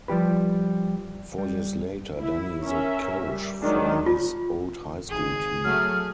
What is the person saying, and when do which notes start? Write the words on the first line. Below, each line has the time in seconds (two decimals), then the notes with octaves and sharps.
Four years later, Danny is a coach for his old high school team.
0.08 F3 G3 G4 B4
1.38 G3
2.19 E4
2.63 C#4 A#4 E5
3.27 G3
3.63 D#3 F#3 G#3 D4
4.06 F4
5.10 G#1 G#4
5.64 F#3 A3 F6